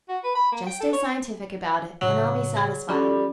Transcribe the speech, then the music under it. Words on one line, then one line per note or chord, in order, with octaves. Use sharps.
Just stay scientific about it and I'll be satisfied.
F#4
B4
B5
A#3
G5
A4
C#5
A2 C#3 F#3 F#6
G#4
F3 G3 C#4 F4 F#4 A4